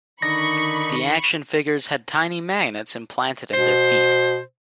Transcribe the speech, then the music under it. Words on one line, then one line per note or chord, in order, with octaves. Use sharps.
The action figures had tiny magnets implanted in their feet.
D3 D#3 D#4 B5 C#6 A#6
B2 C5